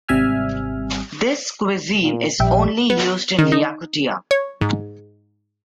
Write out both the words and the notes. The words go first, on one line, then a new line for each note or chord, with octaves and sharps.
This cuisine is only used in Yakutia.
G#1 C3 G3 E5 G#5 F6
A#2
A#1 G3 E5 G5
B3
D#3
D#4
C#5
G#2